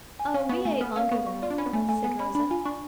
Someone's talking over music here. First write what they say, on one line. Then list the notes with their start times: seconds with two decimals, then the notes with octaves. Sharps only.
"Oh, we ate long ago," said Rosa.
0.19 G#5
0.34 C#4 F5
0.49 B3 C#6
0.65 A3 G#5
0.81 B3 F6
0.96 C#4 F5
1.11 B3 C#6
1.26 C#6
1.42 F4 D5
1.51 D4
1.58 C#4 B5
1.66 B3
1.73 A3 G#5
1.89 A3 G#5
2.04 B3 G#5
2.19 C#4 B5
2.35 D4 B5
2.51 F4 G#5
2.65 D4 C#6